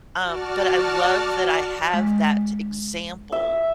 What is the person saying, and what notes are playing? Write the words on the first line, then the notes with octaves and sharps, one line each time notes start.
Um, but I love that I have that example
F#4 D5 A5 F6
G#3
E5